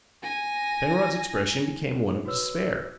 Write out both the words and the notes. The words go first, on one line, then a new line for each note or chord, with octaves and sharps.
Penrod's expression became one of despair.
G#5 A#6
F#4 B4 C#5 E6